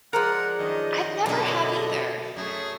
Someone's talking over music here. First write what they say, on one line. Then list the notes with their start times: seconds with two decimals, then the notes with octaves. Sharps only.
I've never have either.
0.13 F3 G#3 D4 A#4 F#5
0.59 F#2 D#3 D#5
1.26 F#2 B2 D3 A#3 A4
2.37 F#2 A3 G#4